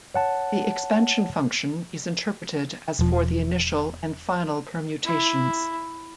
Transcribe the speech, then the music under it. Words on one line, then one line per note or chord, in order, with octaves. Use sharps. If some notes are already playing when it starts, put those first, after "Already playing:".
The expansion function is interpreted as for the initial and final permutations.
C#5 F#5 A5
E1 F3
E4